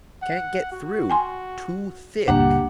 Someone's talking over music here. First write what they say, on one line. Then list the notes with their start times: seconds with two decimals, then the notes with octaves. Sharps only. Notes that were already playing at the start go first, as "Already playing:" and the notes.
"Can't get through--too thick!"
0.22 F#5
0.72 F#4
1.10 G5 G#5 C6
2.28 C#2 G2 A#2 A#3 D4 G4 F#5